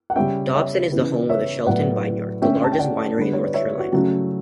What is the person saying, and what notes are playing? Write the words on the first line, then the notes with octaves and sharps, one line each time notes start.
Dobson is the home of the Shelton Vineyards, the largest winery in North Carolina.
F#5
C#3 G3 C#4 E5 G5
C#5 E5
C#3 E3 B3
C#5 E5
A2 F#3 B3 D5 F#5
D3 A3 C#4 E5 G5
A5
G5
D5 F#5
D3 G3 B3 B4
C#5
D5
C#5 E5
F#4
C#3 F#3 A3 C#4 F#4